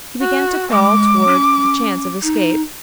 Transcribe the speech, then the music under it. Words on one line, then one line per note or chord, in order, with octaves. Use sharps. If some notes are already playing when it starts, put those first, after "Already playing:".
He began to crawl toward the chance of escape.
F#4
G#3 D6
C#4
D#4